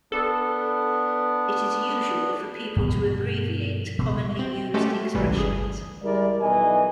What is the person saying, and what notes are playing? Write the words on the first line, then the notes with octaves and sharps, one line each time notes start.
It is usual for people to abbreviate commonly used expressions.
B3 D4 A4
G2 B2 F3 B3
B2
C4
G#3 A3 C#4 F#4 G4 A4
A1 D2 C3 E3 G3
G1 G#4
G3 G#3 E4 A#4 D5
B1 E3 D#5 G#5